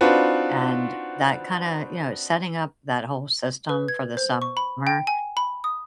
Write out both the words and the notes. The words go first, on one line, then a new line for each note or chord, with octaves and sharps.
and that kinda, you know, setting up that whole system for the summer,
C4 D4 D#4 F4 F#4 B4
B4
G#6
C5
C#6
B5
G5
G#5
B5
D#6